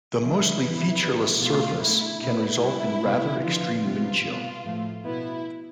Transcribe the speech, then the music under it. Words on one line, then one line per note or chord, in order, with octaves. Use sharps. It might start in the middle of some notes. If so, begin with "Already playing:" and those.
The mostly featureless surface can result in rather extreme wind chill.
D3 F3 A3 E4
C3 E3 B3
B2 G3 B3
B2 A3 F4
D3 A3 E4
B2 B3 E4
C3 G3 B3 E4
C3 G3 B3
D3 F3 B3 F4
C3 G3 B3 F4
B2 B3
A2 F3 A3
B2 B3 E4